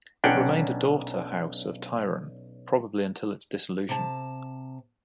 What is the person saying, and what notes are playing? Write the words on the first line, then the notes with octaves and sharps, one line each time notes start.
It remained a daughter house of Tiron, probably until its dissolution.
B1 C#4 D4 F#5 G5
C3 A5